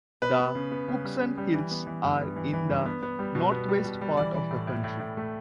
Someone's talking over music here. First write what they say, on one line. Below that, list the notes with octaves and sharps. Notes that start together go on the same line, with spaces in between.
The Cookson Hills are in the northwest part of the county.
B3 B4
B3
C#3
B3
C#3
G3
C#3
G3
E3
B3
E3
G2
B3
E3
E3
G2
B3
B3
G3
B2
B3
G3
B2
G3
E3 D5
E3
A2
A2
A2
A2
A3